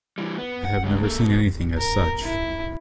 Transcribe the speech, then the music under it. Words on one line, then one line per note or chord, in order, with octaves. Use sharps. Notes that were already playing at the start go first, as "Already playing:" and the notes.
I have never seen anything as such.
E3 G3
B3
F#5
C#3 G#3
A#3 A4
B2
A#4
E4